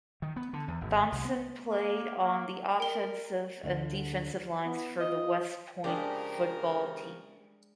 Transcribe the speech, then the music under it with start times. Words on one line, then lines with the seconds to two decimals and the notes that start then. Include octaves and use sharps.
Thompson played on the offensive and defensive lines for the West Point football team.
0.22 D#3
0.36 B3
0.53 D3
0.68 E2
0.81 G#1
1.12 C2
1.25 B3
1.68 A#3
2.19 A#3
2.80 A#4 G5 G7
3.64 D2 D3 A3
4.65 B3 E4
5.00 F4 D#5
5.84 C#3 F3 G#3 D4 G4 A#4